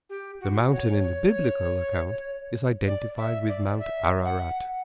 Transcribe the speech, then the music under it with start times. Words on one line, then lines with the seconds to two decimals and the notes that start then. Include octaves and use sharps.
The mountain in the Biblical account is identified with Mount Ararat.
0.09 G4
0.40 F#4
0.71 C#5
1.02 C#5
2.87 D5
3.17 E5
3.48 D5
3.79 E5
4.25 F#5